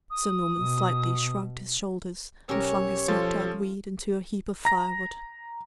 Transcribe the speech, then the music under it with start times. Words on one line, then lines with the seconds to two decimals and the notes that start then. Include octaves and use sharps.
Sir Norman slightly shrugged his shoulders, and flung his smoked-out weed into a heap of fire-wood.
0.11 D#6
0.58 B2
2.49 B1 C#4 G4 A#4 C#5 E6
3.08 F3 F4 A4
4.65 A#5 A#6